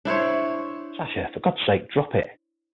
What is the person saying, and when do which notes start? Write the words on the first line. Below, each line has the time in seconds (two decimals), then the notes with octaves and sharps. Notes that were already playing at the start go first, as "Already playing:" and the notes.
Sasha, for God's sake, drop it!
0.05 D4 E4 C5 C#5